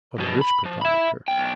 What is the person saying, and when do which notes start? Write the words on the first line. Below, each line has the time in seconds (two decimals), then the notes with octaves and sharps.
For the rich proprietor.
0.18 F2 B2
0.41 B5
0.66 F3
0.82 E5 B5
1.28 B1 G5